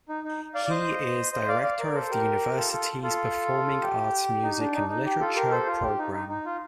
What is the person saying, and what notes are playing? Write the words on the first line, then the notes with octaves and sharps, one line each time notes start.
He is director of the university's Performing Arts Music and Literature Program.
D#4
D#4
D5 F5
D5
C5 D#5
C5 D#5
D5 F5
D5 F5
A#4 D5
A4 C5
G4 A#4
F4 A4
F4 A4
F4 A4
G4
D#4
D4
D#4
D#4
G4
F4 A4
G4 A#4
A4 C5
F4
G4
D#4
D#4
D#4
F4